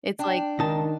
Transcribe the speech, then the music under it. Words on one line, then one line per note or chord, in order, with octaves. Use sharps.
it's like
D4 G5
C#2 D#3 D#4 A5